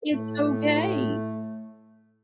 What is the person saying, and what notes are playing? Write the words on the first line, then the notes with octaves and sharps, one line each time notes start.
it's okay,
A2 A3